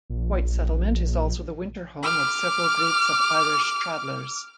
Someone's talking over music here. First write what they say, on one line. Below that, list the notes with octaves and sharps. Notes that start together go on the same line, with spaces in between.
White Settlement is also the winter home of several groups of Irish Travellers.
A#1
D6 F6